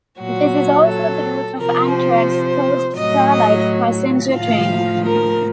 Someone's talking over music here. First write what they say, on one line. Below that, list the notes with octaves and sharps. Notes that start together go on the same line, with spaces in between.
This is also the route of Amtrak's "Coast Starlight" passenger train.
A#2 F#3 F#4
A4
C3 F3 A#4
C5
A2 F#3 D#5
D#5
A2 F3 F5
A#4